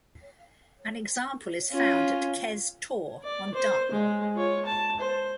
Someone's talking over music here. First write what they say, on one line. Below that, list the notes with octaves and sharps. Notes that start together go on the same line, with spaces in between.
An example is found at Kes Tor on Dartmoor.
C#4 F4
D5
C5
G#3
F4 C#5
A5
C5